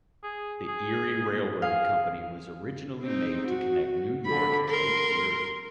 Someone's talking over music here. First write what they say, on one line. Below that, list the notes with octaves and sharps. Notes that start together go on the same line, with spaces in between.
The Erie Railroad Company was originally made to connect New York and Lake Erie.
G#4
G#4
G#4 F5
C4 D#4
F#4
D3 B5
A#4 C6